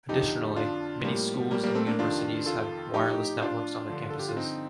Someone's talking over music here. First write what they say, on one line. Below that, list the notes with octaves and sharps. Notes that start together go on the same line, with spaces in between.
Additionally, many schools and universities have wireless networks on their campuses.
F2 D3 F3 D#4 G4
D4 F4
A2 F3 G3 A#3
G3 A#3
G3 A#3
A3 C4
A#3 D4
F2 C3 D#3 D4 F4
F4 A4
A2 F3 D#4 G4
D#4
D4 F4
G2 D3 F3
A4
G4
F4
C4 D#4